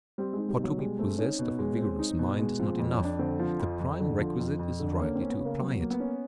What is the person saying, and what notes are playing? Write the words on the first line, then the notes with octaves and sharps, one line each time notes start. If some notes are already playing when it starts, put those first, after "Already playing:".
For to be possessed of a vigorous mind is not enough; the prime requisite is rightly to apply it.
G3 C4
G#3 D#4
G3
B2
F#3
G3 G#3
A3 C4
C#4 D#4
B2
G#3
C4
D#4
B2
G#3
F3 C4
F2 B3
C#4
F2
D4
D3 C4
F3
F2
F2
D3
F3
F2
F2
D3
A#3 C#4
C4
C#4
B3
C#3 A#3
F#3 B3
A#3
B3
C#4